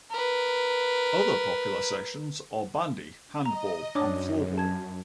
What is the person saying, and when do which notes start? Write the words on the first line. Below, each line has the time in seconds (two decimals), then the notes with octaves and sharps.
Other popular sections are bandy, handball and floorball.
0.11 A#4 B4
3.45 D#5 A#5
3.95 F#2 D4 C#5 D6 D#6
4.58 A5 G#6